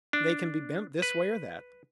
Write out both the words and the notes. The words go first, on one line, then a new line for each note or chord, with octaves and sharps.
They can be bent this way or that.
D4
B4